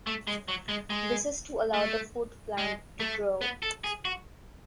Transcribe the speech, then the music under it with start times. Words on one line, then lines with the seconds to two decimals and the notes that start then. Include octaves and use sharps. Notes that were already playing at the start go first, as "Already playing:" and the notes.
This is to allow the food plant to grow.
0.07 A3
0.27 G#3
0.48 F#3
0.69 G#3
0.90 G#3
1.74 A3
2.58 G#3
3.00 A3
3.41 B3
3.63 A4
3.84 G#4
4.05 F#4